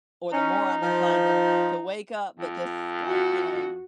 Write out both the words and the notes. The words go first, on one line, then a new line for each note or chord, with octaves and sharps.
or the more I'm inclined to to wake up, but just, like, you know,
C#4 D#4
F3
F2
F#4